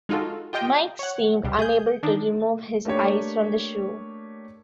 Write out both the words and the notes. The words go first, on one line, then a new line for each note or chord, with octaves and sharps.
Mike seemed unable to remove his eyes from the shoe.
G#3 D#4 F4 F#4 A4
F4 G4 D#5 G5
C#5 F#5
C#2 B2 G3
G#4 G6
D#3 D4 D#4
A3 A#3 D4 G4 C#5